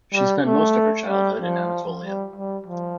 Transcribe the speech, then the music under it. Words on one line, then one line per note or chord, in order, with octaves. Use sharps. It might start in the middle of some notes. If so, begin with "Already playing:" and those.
She spent most of her childhood in Anatolia.
G3
A3
G3
F3
G3
G3
F3